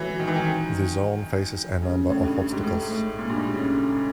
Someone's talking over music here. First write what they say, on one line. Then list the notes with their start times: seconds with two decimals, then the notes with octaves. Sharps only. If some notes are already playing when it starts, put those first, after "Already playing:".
The zone faces a number of obstacles.
Already playing: E3 F#3
0.19 D#3
0.27 E3
0.36 D#3
1.82 C#3
2.10 A2
2.23 G2
2.36 G2
2.51 G#2
2.63 A2
2.81 G#2
2.91 A2
3.18 A#2
3.29 G2
3.36 G#2
3.53 C#3